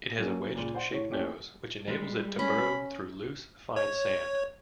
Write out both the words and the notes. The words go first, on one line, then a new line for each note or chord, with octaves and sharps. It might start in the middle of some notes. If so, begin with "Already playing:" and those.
It has a wedged-shaped nose which enables it to burrow through loose, fine sand.
F#3 A#3 C#4
C#2 A#2
C5 D5 F#5
A2 C#5
A3 A#3 C#4 E4 G4 C#5
G3 G#3
C#4 B5
C#5